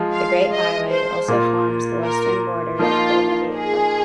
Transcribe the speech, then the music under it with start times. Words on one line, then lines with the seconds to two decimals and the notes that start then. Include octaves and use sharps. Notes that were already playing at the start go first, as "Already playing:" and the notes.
The Great Highway also forms the western border of Golden Gate Park.
Already playing: F3 G#3 F4
0.13 F5
0.52 D#5
0.90 C5
1.28 A#2 A#3 F4
2.03 A#4
2.79 F3 A#3 D#4 F4
3.56 G#4